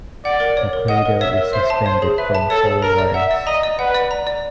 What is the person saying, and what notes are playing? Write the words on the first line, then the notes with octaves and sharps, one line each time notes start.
The cradle is suspended from four wires.
D5 F#5
A#4
C#5
A#4
D#5 F#5
A#4
C#5 E5
A#4
C5 E5
A5
C5 C#5
G#4
B4 E5
A5
A4 C#5
G#4
A#4 A#5
D5
E5 F#5
D5
D#5 A#5
D5
B4 F#5
D5
A#5
D5